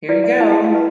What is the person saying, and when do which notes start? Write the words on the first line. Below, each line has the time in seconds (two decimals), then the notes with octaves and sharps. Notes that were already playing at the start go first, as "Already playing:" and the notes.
Here you go."
0.09 E4 B4 D5
0.24 E5
0.40 E4 B4 A5
0.52 G5
0.64 F5
0.71 E4 B4